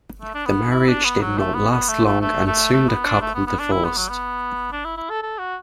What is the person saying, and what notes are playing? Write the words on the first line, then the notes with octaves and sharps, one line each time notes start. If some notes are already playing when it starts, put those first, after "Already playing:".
The marriage did not last long and soon the couple divorced.
A3
D4
B3
E4
D4
B3
F#3
A3
B3
B3
A3
A3
A3
A3
A3
B3
D4
A3
B3
B3
D4
E4
B3
F#3
B3
D4
E4
E4
A4
A4
F#4